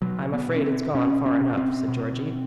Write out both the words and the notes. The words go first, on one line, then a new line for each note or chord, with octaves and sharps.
"I'm afraid it's gone far enough," said Georgie.
B2 F#3
B3
B2
C#4
C4
B2 C#4
C#4
B2
C4
B2